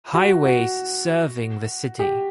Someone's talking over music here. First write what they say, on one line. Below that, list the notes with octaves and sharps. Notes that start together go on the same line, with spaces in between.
Highways serving the city.
F#4
F#4
G4